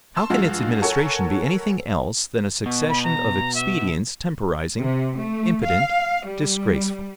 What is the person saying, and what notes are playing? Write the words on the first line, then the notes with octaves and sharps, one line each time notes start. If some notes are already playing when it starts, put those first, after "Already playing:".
How can its administration be any thing else than a succession of expedients temporizing, impotent, disgraceful?
A5 C6 E6
G2 F3 G#3 F4 F#4
A4 A#4 C#5 F#5 G#5 A5
B2
B5
A#5
E5
C3
A3
F5
G3